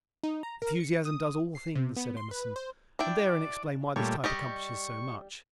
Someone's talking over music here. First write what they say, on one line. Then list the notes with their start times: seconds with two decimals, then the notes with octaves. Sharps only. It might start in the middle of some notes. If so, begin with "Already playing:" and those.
"Enthusiasm does all things" said Emerson, and therein explained why this type accomplishes so much.
0.23 D#4
0.43 A#5
0.62 A#4
0.80 C#7
1.05 D#6
1.55 C7
1.75 C3
1.96 B3
2.17 C6
2.31 B4
2.56 C5
2.99 D4 E4 D5 G5
3.96 A#2 G3 A3 C#5
4.24 G3 G4 D#5 C#6